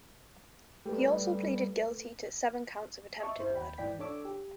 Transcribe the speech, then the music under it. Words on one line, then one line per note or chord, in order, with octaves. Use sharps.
He also pleaded guilty to seven counts of attempted murder.
G3 A3 A4 B4
D#5 E5 A5 C#6
G1 E4 C5
D#2 G5 B5
G#1 E3 D5 G5 B6
D4 A4 C#5 D6 E6
G4